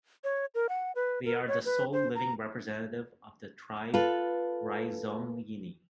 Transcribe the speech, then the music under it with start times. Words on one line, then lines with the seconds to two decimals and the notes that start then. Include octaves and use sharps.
They are the sole living representatives of the tribe Rhizomyini.
0.24 C#5
0.55 A#4
0.69 F#5
0.95 B4
1.25 A#4
1.48 C#5
1.65 B4
1.93 C5
2.15 A#5
3.94 F4 A4 B4